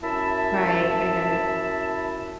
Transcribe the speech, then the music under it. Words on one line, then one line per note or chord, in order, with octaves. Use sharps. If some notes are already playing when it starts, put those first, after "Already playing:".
Right, I get it.
F#2 E4 E5 A5